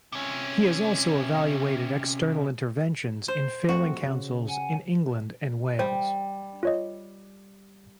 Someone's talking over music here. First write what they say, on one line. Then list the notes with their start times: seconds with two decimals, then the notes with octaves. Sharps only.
He has also evaluated external interventions in failing councils in England and Wales.
0.12 C3 C#4
3.28 C5
3.69 F3 A3 C4 F#4
4.02 C#3
4.49 F#5 G#5
5.79 G3 C5
6.63 F4 C#5 D#5